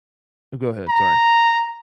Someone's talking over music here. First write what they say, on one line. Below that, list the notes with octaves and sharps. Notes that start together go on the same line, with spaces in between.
You go ahead, sorry.
A#5